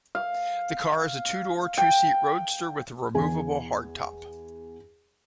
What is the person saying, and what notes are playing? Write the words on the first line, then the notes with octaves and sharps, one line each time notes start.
The car is a two-door, two seat roadster with a removable hardtop.
F5
G5
E2 G#4 G#5